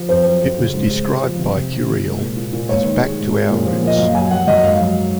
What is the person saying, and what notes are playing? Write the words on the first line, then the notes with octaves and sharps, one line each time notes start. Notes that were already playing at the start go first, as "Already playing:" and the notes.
It was described by Curiel as Back to our roots.
Already playing: F3
F2 C5
F#3
F2
C#3
G#2
G#3
G#3
F3
C3
C3
D#3
C3
G#3
A#2
A#2
A#2
G#2 C#5
D#3
G#3
G#2
G#3
A#2
F3
A#2 D#5
F#2 F5
F#3 G#5
F#3 F#5
F#2 D#5
G#2 F5
F#3